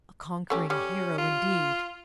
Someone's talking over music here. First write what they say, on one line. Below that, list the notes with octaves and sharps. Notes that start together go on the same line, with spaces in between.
A conquering hero, indeed!
A3 C#4 G4
G3 C#4
F4